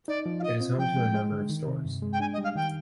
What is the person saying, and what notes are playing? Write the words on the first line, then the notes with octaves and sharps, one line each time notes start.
It is home to a number of stores.
D#4 D5
F3
F5
F4 D#5
C4
F3 G5
G#3
G#3
D3
D#3
C3
G2
G#3
G5
D4 G#5
D#5
G3
F5
D#3 G5